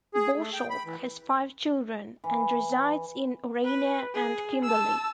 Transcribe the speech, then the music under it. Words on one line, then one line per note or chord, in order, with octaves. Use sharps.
Boshoff has five children and resides in Orania and Kimberley.
G#4
A3
G5
B5
E3
E3
B4
G#4
A5 E6